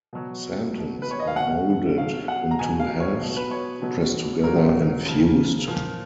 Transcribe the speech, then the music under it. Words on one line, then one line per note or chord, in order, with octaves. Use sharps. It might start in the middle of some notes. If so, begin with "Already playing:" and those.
Santons are moulded in two halves, pressed together, and fused.
B2 F#3
B2 F#3
B4
C#5
D#5
F5
B2 F#3 F#5
B2 F#3 F5
F#5
A#5
B2 F#3 G#5
F5
C#5
B2 F#3
B4
C#5
B2 F#3
A#2 F#3 A#4
C#3 F3
A#2 F3